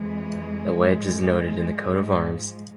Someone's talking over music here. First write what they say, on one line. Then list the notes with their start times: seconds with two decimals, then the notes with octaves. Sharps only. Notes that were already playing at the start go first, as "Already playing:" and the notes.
The wedge is noted in the coat of arms.
Already playing: F2 E3 G#3
0.78 A2 F3
1.72 G#2 F3